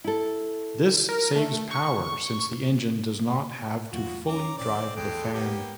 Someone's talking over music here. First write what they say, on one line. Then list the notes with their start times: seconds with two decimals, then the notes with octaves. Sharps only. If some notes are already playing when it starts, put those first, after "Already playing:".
This saves power, since the engine does not have to fully drive the fan.
0.04 E4 A4
1.09 A#4
1.36 A3
1.71 C#6
3.92 E2 F#3 A3 F4 F#4
4.28 C#4 A#5 D6
4.58 A#1 A#2 C4 D5
4.96 A#1 E2 E3 G#3 A4 G5
5.33 A#3 B3 G4 G5